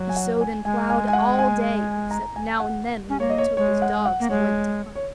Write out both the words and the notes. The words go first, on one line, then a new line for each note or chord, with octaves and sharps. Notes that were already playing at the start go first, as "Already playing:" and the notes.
He sowed and ploughed all day, except now and then when he took his dogs and went to hunt.
Already playing: F#3
G#5
F#5
G#5
G#3 G#5
G#5
G#5
F#5
G#5
A#5
G#5
F#5
C#4
A#3 C#5
D#5
C#5
G#3 C#5
F#5
F#5
A#3
G#3 C#5
C#5